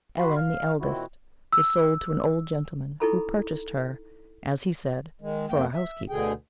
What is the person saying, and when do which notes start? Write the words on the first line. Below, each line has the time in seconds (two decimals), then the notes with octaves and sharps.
Ellen, the eldest, was sold to an old gentleman, who purchased her, as he said, for a housekeeper.
0.18 F#4 B5 C6
0.37 F5 F6
0.80 A#2 D#3 C4 E4 F#4
1.53 E6
3.00 D#4 E4 G#4 A4 A#5 B5
5.21 D#3 G#3
5.50 F2 A3 A#3 G5
5.74 E5
6.10 D2 B2 D3 G#4 G5